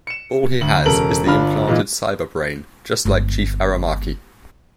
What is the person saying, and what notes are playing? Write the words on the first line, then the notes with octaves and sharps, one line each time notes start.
All he has is the implanted cyber-brain, just like Chief Aramaki.
C#7 E7
D2 F#7
E1 C#3 A4 A#4 F#7
G1 D4 F4 B5 F6
A#2 E3 G#3 D#4 F4
G1 G#3